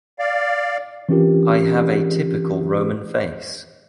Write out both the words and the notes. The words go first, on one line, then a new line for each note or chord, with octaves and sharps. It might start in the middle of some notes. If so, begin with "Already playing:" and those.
I have a typical Roman face.
D5 F5
E3 C4 C#4 F4 G4 A#4